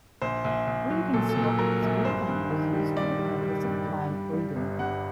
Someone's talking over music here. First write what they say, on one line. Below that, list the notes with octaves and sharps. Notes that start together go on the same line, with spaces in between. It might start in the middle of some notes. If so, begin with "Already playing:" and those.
Breeding stock is a group of animals used for the purpose of planned breeding.
A#1 C5
A#1
A#1
F#3
A#2 A4
A4
A#2
A4
F#3 A#4
A#1
G2 C5
G2
D#3
G3
G3 D5
G3
G3
G2
G3
G3
G3
G1
G2 F#5